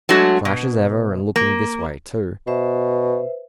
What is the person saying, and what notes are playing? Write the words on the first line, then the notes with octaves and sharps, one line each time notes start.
"Flash as ever, and looking this way, too."
F#3 G#3 A3 D4 F#4
B2
A#3
B2 B4 C5 E5